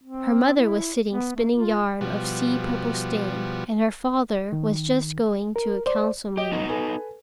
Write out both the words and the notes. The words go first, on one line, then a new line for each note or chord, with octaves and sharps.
Her mother was sitting spinning yarn of sea-purple stain, and her father was just going to a council meeting.
C4
E4
B3
A3
F4
B2 F3 G3 F#4
D#3
A#4
C5 D5
G4 D#5
B3 D#4 F#4
A4 B4 G#5